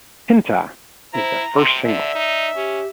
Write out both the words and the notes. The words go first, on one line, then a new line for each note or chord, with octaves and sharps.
"Pinta" is the first single.
E4 C5 A#5
C3 C6
D3 D5 E5
D#4
C#4 G4